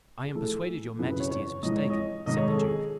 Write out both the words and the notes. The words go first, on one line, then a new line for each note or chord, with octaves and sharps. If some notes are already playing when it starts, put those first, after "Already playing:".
"I am persuaded your majesty is mistaken," said the duke.
G#4
A2 E3 A4
F#2 C#3 E3 B4
B4
C#5
C#5
G#2 E3 D#5
C#5
D#5
G#2 D#3 D#5
C#5
A4
G#4